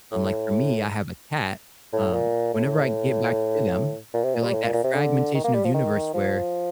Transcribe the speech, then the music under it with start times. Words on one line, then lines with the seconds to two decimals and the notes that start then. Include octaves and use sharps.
um, like for me, I have a cat, um, whenever I get back to them, they're like that fragmentation of the universe where,
0.12 A2
1.93 A2
2.13 A#2
2.54 A2
4.14 A#2
4.24 C3
4.34 A#2
4.44 G3
4.53 A2
4.63 A#2
4.74 A#2
4.84 C3
4.94 D3
5.34 D#3
5.44 A#3
5.54 G3
5.64 F3
5.74 D#3
6.14 F3